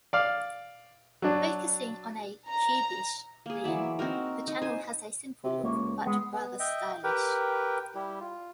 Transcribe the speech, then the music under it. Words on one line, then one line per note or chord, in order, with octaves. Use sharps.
Focusing on a "cube-ish" theme, the channel has a simple look, but rather stylish.
D5 F5
F#3 D4
A#5
A#3 G#4
E3 F#3 D5 E5
C4 D#4 F#4 A#4
D#4
C5 G#5
C3
C#2 A#3 C#5
G#3 B3
B3
D#5 E5 G5
G4 A#4 B4 G5
G3 E4 G4
F4